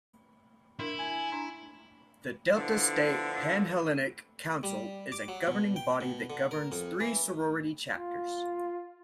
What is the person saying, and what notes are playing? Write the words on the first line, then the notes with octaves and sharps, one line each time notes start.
The Delta State Panhellenic Council is a governing body that governs three sorority chapters.
D4 E4 A#4
G#5
D4 A#5
D3 F3 B3 D4 E4
G3
D6
F#3
B2
G5
B2
D3
A#4
F2
E3
F4